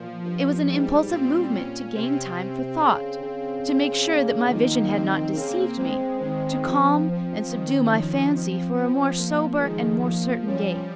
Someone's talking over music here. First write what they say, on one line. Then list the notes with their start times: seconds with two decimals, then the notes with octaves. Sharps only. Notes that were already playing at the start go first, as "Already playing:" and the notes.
It was an impulsive movement to gain time for thought--to make sure that my vision had not deceived me--to calm and subdue my fancy for a more sober and more certain gaze.
Already playing: A#2 F3
0.23 G2 F3
0.66 G#2 G3
1.09 A#2 C4
1.52 C#4
1.94 C3 C4
2.79 C#3 C4
3.22 C#3
3.65 C4
4.07 A#3
4.49 D#3 F3
4.92 C4
5.35 C#3 A#3
5.78 G#3 C4
6.20 D#3 C4
6.64 F3
7.06 C4
7.48 D#3
7.91 F3 C#4
8.34 C4
8.76 F3 C4
9.19 F3 A#3
9.61 D#3 G#3
10.04 F3 A#3
10.47 G3 C#4